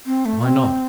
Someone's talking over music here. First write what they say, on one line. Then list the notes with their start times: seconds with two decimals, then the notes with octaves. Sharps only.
Why not?
0.06 C4
0.25 A3
0.45 C4